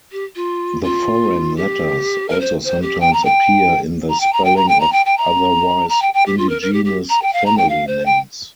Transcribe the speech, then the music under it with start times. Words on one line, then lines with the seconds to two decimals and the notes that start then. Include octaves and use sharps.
The "foreign" letters also sometimes appear in the spelling of otherwise-indigenous family names.
0.12 G4
0.35 F4
0.83 F4
1.56 G4
2.28 A#4
2.40 C5
2.65 C5
2.82 G4
3.00 G5
3.13 A#5
3.24 G5
4.09 A#5
4.20 G5
4.33 A#5
4.44 G5
4.56 A#5
4.68 G5
4.80 A#5
4.92 G5
5.05 G5
5.17 A#5
5.89 A#5
6.02 G5
6.14 G5
6.26 G4
6.37 F4
6.49 A#4
6.62 A#4
6.73 G4
6.85 G4
7.09 A#5
7.22 G5
7.33 F5
7.46 A#5
7.57 G5
7.69 F5
7.87 C5
8.05 G5